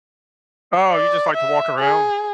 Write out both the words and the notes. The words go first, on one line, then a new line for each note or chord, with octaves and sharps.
Oh, you just like to walk around?
D5
E5
G#4